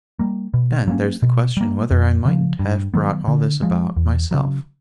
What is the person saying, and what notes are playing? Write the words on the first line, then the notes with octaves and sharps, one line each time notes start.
But, again, there's the question whether I mightn't have brought all this about, myself.
G3 A#3
B2
F#3 A#3 C#4
B2
G3 A#3
F2
C#3 F3
G2
D#3 F#3 B3
D3
F3 G#3
E2
C#3 F#3